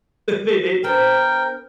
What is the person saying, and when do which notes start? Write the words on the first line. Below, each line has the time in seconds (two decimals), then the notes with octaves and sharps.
they, they,
0.84 B3 D4 A#4 C5 G5